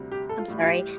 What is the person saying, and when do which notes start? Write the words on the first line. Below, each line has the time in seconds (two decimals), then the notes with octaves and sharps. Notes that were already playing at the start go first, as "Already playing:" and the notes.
I'm sorry,
Already playing: D2 C3 G3
0.11 G4
0.29 A4
0.39 F4
0.48 A1 A2 G3
0.61 F4
0.66 G4